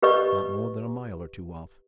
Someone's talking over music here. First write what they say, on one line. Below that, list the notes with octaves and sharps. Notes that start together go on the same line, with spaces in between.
"Not more than a mile or two off."
G4 B4 D#5 C#6